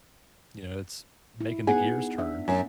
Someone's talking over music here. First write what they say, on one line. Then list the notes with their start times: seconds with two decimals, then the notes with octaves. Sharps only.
you know, it's making the gears turn.
1.41 E4
1.67 B3 D#4 G#4 F#5
2.18 D4 E5
2.48 F#2